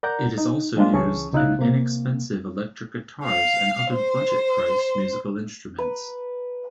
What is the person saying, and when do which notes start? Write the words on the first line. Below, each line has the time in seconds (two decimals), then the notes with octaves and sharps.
It is also used in inexpensive electric guitars and other budget priced musical instruments.
0.03 A#4 D5 F#5 A#5 G6
0.38 D#4
0.77 F3 G3 G#3 A#3 D4 F4
0.92 C#2 E3 C#4 G#4 A5 C#6
1.32 C2 C#3 D#4 E4 F5 F#6
1.59 C3 A#3
3.24 F5
3.92 C5
5.79 B4